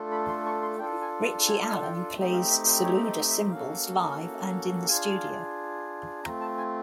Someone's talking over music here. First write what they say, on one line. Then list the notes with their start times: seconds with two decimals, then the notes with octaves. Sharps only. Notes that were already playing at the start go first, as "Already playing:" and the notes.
Richie Alan plays Saluda cymbals live and in the studio.
Already playing: A3 D4 F4 A4
0.11 B5
0.28 C6
0.46 C#6
0.62 C6
0.79 D4 F4 A4 G5
1.01 G#5
1.25 A5
1.47 G#5
1.81 G5
2.15 A3 C4 D#4 G4
2.33 F5
2.50 E5
2.66 C5
2.83 C#5
3.06 D#5
3.29 E5
3.51 A#3 C#4 F#4 A4 F5
4.87 D4 F4 G#4 F5
6.23 A3 C4 F4 A#5
6.41 A5
6.58 G#5